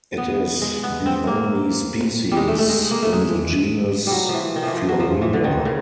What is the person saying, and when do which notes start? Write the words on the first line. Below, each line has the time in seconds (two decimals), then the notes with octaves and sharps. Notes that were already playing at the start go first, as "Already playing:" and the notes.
It is the only species in the genus Florinda.
0.18 B3
0.62 G#3
0.83 B3
1.06 C4
1.27 A#3
2.32 G3
2.37 G#3
2.48 A3
2.58 A3
2.69 G#3
2.91 A#3
3.03 A3
3.13 G#3
4.07 F#3 G3
4.29 E3 F3
4.56 D#3
4.63 E3 F3
4.77 F3
4.89 F#3
5.00 F3
5.22 E3
5.33 D3
5.44 D#3
5.65 C#3